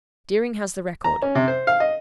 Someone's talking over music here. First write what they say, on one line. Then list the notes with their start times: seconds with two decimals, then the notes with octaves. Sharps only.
Deering has the record.
1.04 A#5
1.22 C#4
1.35 C3
1.48 C5
1.67 F5
1.80 D#5